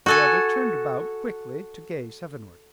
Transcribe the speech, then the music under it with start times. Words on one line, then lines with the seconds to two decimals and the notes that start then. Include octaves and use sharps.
The other turned about quickly to gaze heavenward.
0.06 F#4 A4 G#5